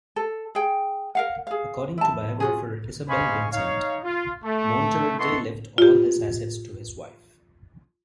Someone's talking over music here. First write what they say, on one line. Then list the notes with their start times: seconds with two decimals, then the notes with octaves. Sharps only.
According to biographer Isabel Vincent, Monteverde left all his assets to his wife.
0.16 A4
0.55 G#4 G5
1.15 A#4 F5 F#5
1.47 G#4 F5
1.98 E4 A5
2.40 F4 F#4 G#4
3.09 C5 D#5 F5 G#5 B5 C#6
3.53 D#4 C#5 F5
4.03 F4
4.44 A3
5.18 B3 E4 A4 D#5 C6 C#6
5.78 F4 G4